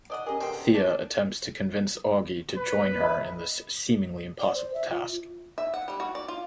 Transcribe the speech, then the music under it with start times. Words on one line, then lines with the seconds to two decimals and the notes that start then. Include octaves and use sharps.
Thea attempts to convince Augie to join her in this seemingly impossible task.
0.10 D5 D#5 F#5
0.26 C#4 G4 G#4 A#4 D#5
0.41 B2 D3 C5 G5
0.74 D4 D6 A6
2.57 B4
3.00 D#5 E5 B5
4.40 D5
4.55 C5
4.74 E5
4.90 F4
5.58 E5
5.74 F#5
5.88 G3
6.00 F#4
6.15 D5
6.28 F4